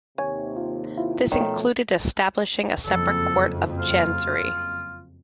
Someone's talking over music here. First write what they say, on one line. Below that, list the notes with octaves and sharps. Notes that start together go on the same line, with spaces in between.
This included establishing a separate Court of Chancery.
D#2 C3 C#5 G#5
F4
E4 F4
B2 D#3 F3 A3 C#5
F#1 F2 A4
F4